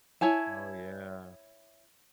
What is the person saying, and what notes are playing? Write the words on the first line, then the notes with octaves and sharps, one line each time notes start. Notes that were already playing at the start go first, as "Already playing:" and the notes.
Oh, yeah.
E4 C#5 G#5 A5